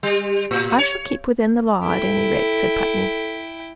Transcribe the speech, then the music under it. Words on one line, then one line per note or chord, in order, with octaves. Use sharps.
"I shall keep within the law, at any rate," said Putney.
G3
A2
C#5
E4 A4 G5